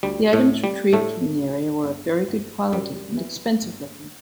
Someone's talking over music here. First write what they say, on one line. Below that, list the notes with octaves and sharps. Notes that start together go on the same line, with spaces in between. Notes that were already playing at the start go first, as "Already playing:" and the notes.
The items retrieved from the area were of very good quality and expensive looking.
D2 G3
A2 A3
D3
G3
A2 D3 A3
D2
G1
G1
F#2 G3
E3
G1